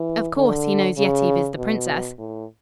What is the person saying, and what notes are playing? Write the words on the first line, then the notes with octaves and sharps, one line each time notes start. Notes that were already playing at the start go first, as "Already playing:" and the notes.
Of course, he knows Yetive is the princess.
Already playing: E3
D3
C#3
B2
A2